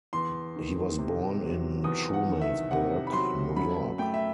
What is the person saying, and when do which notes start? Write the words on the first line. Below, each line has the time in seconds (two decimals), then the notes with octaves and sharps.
He was born in Trumansburg, New York.
0.13 E2 C6
0.56 D#3
0.98 C3
1.41 F#3
1.84 E2 D#6
2.13 F#5
2.28 D#3
2.42 E5
2.71 C3 F#5
3.07 B5
3.13 F#3 C6
3.56 F#2 B5
3.99 A3 G5
4.14 E5